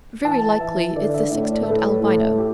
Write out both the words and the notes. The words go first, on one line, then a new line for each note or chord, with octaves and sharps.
Very likely it's the six-toed albino.
E3 A5
E3 E5
D3 D5
E5
A2 D5
A4
A2 B4
A2 A4
G4